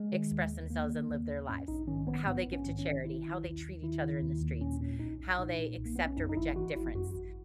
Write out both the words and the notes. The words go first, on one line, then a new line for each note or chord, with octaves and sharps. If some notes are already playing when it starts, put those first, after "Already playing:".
express themselves and live their lives, how they give to charity, how they treat each other in the streets, how they accept or reject difference.
Already playing: G#3
D#3
D#2
D#2
D#3 A#3
D#3
D#2
D#2
G#2 C#4
A#1 D#4
D#3 C#4
A#1 B3
G#2 B3
A#1
C#4
D#3
C#4
A#1
D#3 E4
D#3
D#2
D#2
D#3 E4
D#3
D#2
D#2
A#2 C#4
A#2 C#4
B1 D#4
B1
A#2 D#4
A#2
B1
A#3
B1 B3
C#4
F#2 D#4
D#4
G#1 E4
E3 F#4
G#1 E4
F#2 F#4
G#1